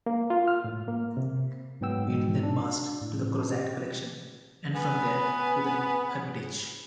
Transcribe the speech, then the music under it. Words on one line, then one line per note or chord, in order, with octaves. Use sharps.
It then passed to the Crozat collection and from there to the Hermitage.
A#3
F4
F6
A2
A#3
C3
G#2 F#3 B3 G5 E6
G#2 B2
D4
A2
G4
B3 B4 G#5